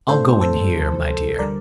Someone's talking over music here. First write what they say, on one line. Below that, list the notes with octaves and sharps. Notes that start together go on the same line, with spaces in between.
"I'll go in here, my dear."
A2 A3 D4 F4 A4 C5
A4 C5
D2 C3 F3
D3 G3 A#4 D5